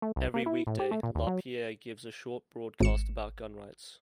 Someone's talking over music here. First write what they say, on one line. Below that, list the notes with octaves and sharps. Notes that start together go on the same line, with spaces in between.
Every weekday, LaPierre gives a short broadcast about gun rights.
A3
C2
A#3
E4
A2
G4
A3
A#2
D#2
F#3
G#1 C#7 E7